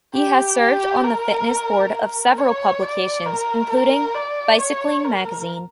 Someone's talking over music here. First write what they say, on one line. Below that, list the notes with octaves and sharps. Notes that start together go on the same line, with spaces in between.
He has served on the fitness board of several publications including "Bicycling Magazine".
G4
G4
A#4
A#4
C#5
D5
A#4
A#4
D5
C#5
A#4